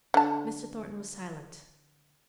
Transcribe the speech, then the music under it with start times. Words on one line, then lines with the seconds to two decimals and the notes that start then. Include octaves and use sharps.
Mr. Thornton was silent.
0.14 D3 A5